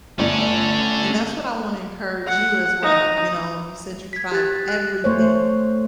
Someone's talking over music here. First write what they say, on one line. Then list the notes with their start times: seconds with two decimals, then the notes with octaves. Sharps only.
and that's what I wanna encourage you as well, you know? You said you tried everything,
0.19 G1 A3 C#4 A4 D5
2.27 F#5
2.82 D#4
4.13 G#6 B6
4.32 G4 F#6 A6
4.69 F#6
5.04 A3 C5 C#5